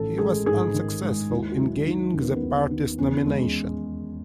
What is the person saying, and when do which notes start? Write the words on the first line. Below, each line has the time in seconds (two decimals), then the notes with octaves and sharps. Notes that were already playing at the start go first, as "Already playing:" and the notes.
He was unsuccessful in gaining the party's nomination.
Already playing: A1 D#3 A4
0.18 G#3 G#4
0.46 G#2 G#4
0.74 D#3
1.03 G#3
1.31 D#2 E4
1.51 F#4
1.58 F#3 E4
1.86 D#3 D#4
2.14 D#2 C#4
2.22 B3
2.36 B3
2.43 D#2
2.71 D#3
2.99 E2 C#4
3.27 G#3